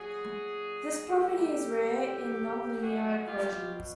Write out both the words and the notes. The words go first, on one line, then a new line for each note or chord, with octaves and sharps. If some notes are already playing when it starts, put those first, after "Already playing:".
This property is rare in nonlinear equations.
Already playing: A#2 F#3 F#4 G#4
A2 F#3 G4 A4
B2 F#3 F#4 G#4
F4 G4